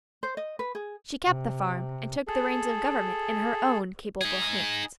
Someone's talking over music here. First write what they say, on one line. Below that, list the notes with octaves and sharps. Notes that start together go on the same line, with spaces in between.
She kept the farm and took the reins of government in her own capable hands.
C5
D#5
B4
G#4
C3
G#4 A4
D#4 G#4